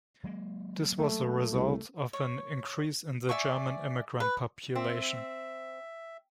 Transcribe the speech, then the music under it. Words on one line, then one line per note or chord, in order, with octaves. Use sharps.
This was a result of an increase in the German immigrant population.
F#3 G#3 A#3
A3
C2
C#5
D5 E5 G#5 C#6
B4
C4 E5